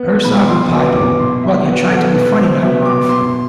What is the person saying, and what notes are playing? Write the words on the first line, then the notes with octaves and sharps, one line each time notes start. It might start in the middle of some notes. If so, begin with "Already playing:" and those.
Herzog replied, Well, you're trying to be funny now, Marv.
Already playing: B3
B2 B5
C6
F#3 B3 D6
D6
B2 C6
E5
F#3 B3 F#5
A4
B2 B4
C5
F#3 B3 E5
D6
B2 C6